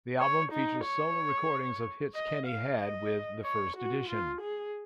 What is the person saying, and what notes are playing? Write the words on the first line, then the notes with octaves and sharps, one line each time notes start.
The album features solo re-recordings of hits Kenny had with The First Edition.
C#5
D#4
C#5
D#5
F5
D#5
C#5
F#4
F4
G#4